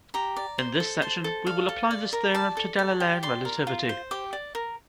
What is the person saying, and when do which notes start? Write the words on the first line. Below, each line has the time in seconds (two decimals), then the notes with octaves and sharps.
In this section, we will apply this theorem to Galilean relativity.
0.14 G4 A#5
0.37 D5
0.58 C5
0.80 A4
1.02 C5 A5
1.24 A4
1.47 D5 F5
1.69 A4
1.91 D5
2.13 A#4
2.35 D5 A5
2.57 A4
2.79 D5
3.00 G4
3.23 D5 C6
3.45 A#4
3.67 F4
3.89 C5
4.11 G4 D6
4.33 D5
4.55 A#4